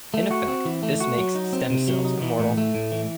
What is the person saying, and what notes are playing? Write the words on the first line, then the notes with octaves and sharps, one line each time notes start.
In effect this makes stem cells immortal.
A3
F#4
C4
E3
A3
F#4
F#3
D#4
C4
C3
F#3
D#4
E3
A2
A3
A2
E3